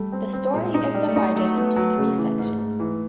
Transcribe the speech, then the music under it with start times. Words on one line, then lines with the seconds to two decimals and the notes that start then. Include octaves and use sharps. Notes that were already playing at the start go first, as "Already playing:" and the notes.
The story is divided into three sections.
Already playing: G3 A3
0.12 C4
0.33 C4
0.53 A#2 G#3
0.74 D#4
0.81 G#3
0.94 G3
1.09 A3
1.16 D#4
1.35 F#3 A3
1.56 B3
1.76 F#3
1.97 C#3
2.18 E3
2.39 G#2
2.58 G#2
2.80 E3